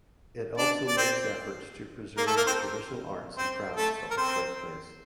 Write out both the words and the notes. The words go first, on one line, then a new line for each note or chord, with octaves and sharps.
It also makes efforts to preserve the traditional arts and crafts of its birthplace.
D4 D5
D5
C4 C5
A#3 A#4
A3 A4
A#3 A#4
C4 C5
C4 C5
A3 A4
A#4
C4 C5